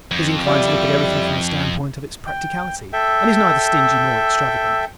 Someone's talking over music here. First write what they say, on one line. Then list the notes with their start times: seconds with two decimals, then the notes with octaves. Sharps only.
He is inclined to look at everything from the standpoint of its practicality and is neither stingy nor extravagant.
0.11 F2
0.46 G3 E4 D5
2.27 G5
2.93 A4 E5 G5